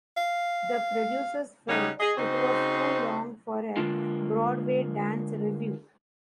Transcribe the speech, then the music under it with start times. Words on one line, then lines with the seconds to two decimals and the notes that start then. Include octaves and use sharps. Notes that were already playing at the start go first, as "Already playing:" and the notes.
The producers felt it was too long for a Broadway dance review.
0.17 F5
1.69 C#3 G3 D#4 G4 C#5 F#5
2.00 G#4 D#5
2.18 C#3 C4 D#4 F#4 C5
3.77 D3 G#3 A#3 D4 F4